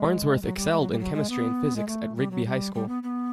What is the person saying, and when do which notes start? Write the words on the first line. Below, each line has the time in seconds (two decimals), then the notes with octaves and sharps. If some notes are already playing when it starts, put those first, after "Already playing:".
Farnsworth excelled in chemistry and physics at Rigby High School.
Already playing: G#3
0.42 F#3
0.56 G3
0.71 G#3
0.81 F#3
0.91 G3
1.00 F#3
1.14 G#3
1.30 B3
1.76 G#3
1.88 A3
2.16 G3
2.31 F#3
2.45 G3
2.74 G3
2.88 B3
3.03 B3